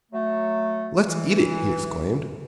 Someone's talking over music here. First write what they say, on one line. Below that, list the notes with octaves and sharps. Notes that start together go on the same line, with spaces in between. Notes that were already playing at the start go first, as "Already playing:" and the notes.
"Let's eat it!" he exclaimed.
F#3 A3
E3